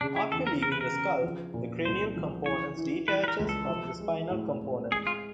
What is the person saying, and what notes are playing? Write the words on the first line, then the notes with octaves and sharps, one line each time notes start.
After leaving the skull, the cranial component detaches from the spinal component.
C#3 D4
E4
E2 A4
A#4
C#3 A#4
B4
A#4
C#3
F3
A#2
C2 C5
F3
E3 C#5
E3
E3 B4
B4
A#4
C#2
A4
F3
G#3
A2
C4
G#3 G#4
F4